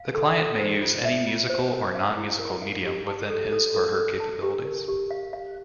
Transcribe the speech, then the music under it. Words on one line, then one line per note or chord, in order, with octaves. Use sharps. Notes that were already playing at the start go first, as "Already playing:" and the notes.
The client may use any musical or nonmusical medium within his or her capabilities.
Already playing: F5
A4
F4
C5
F4
E5
F4
C5
A#4
F5
E4
A#4
F5
G4
A5
A4
A4
A4
A4
A5
G4
A#4
G4
F5
F5